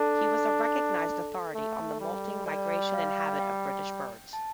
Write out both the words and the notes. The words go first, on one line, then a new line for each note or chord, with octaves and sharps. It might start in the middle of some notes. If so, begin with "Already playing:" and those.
He was a recognised authority on the moulting, migration, and habit of British birds.
Already playing: D4 A4
A3
G3
G3 D5
F5
G5
A5